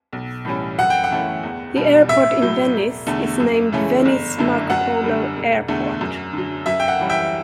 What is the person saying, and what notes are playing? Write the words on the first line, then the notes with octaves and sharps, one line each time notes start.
The airport in Venice is named Venice Marco Polo Airport.
B1
A2 E3 G3 C#4
F#2 F#5
G5
F#5
E3 A3 C#4
E2
B2 G3
A1 E5
A2 F#3
E1
E2 D3 A3
F#2
C#3 E3 A3 C#4
G1
F#2 D3 A3 E4
F#2 F#5
G3
D3
E1
E2 D3 A3
F#2
D3 F#3
F#2 E5
G5
F#5
E3 G3 C#4 E4
E5 G5